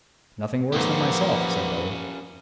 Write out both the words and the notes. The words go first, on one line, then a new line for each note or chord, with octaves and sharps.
"Nothing worse than myself," said Billy.
D#2 G#2 F3 A#3 B3 C#4 G4